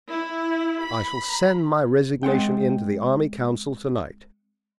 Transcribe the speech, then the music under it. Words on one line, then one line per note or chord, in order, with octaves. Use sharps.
I shall send my resignation in to the Army Council to-night.
E4
B5
G#3 C4 F#5 G5